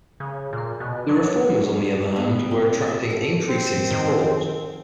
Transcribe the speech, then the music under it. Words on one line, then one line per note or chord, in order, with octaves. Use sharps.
The reformers, on the other hand, were attracting increasing support.
C#3
A#2
B2
F#3
B3
G3
C4
E5
A4
C4
D#3